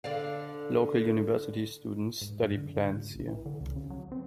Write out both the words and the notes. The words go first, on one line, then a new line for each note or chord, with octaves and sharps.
Local university students study plants here.
D3 D5 F5
G#2
G2
D3
G#2
D2
A#1
E3
D3
C#2
C#3
F#3
C4